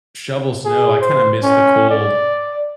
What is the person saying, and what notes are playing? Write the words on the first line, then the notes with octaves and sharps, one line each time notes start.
shovel snow, I kinda miss the cold.
G#4
C5
C#4
D5